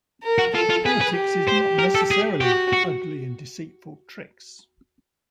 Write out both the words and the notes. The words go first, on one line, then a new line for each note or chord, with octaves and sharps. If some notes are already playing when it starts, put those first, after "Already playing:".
Politics is not necessarily ugly and deceitful tricks.
A#4
F#4
F4 A4
F4
G#4 B4
B4
G4
C5
A#4
A4
G#4
F#4 G4
F#4